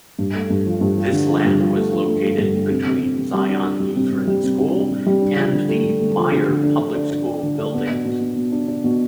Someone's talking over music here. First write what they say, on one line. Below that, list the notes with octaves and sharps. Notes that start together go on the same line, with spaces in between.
This land was located between Zion Lutheran School, and the Mayer Public School buildings.
G2
A3
G2
F3
G2
F3
D3
F3
G2
F3
A3
F3
A3
A3
G2
A3
C3
C3
C3
C3
G3
D4
D4
G3
C3
C3
G3
C3
D4
C3
C3
G3
D4
F3
D3
A3
D3
A3
F3
D3
D3
D4
D3
D4
D4
D4
D3
D4
B3
B2
B2
B2
B2
D4
D4
B2